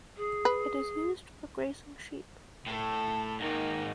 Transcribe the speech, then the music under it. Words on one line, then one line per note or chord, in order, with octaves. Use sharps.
It is used for grazing sheep.
G#4
B4
A2 A4
G#2 D#3 A#3 D#4